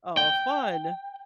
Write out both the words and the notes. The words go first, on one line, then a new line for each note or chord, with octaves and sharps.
Oh, fun.
G5